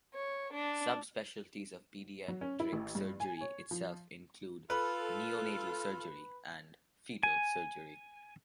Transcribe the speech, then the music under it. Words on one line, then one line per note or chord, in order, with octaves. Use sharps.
Subspecialties of pediatric surgery itself include: neonatal surgery and fetal surgery.
C#5
D4
F#3
C#4
E4
A1
G2
G#5
C#5
F3
F4 A4 B4
G#5